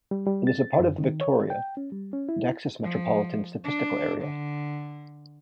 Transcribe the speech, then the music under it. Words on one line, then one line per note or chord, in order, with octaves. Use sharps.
It is a part of the Victoria, Texas Metropolitan Statistical Area.
G3
G3
A6
F#2
D#3
C#5
G5
C#4
G3
C#4
E4
F3
D4
D3